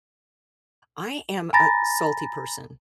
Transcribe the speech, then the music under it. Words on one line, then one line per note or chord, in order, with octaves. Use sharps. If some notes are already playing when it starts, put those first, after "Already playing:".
I am a salty person,
G#5 A#5 B5 A6 A#6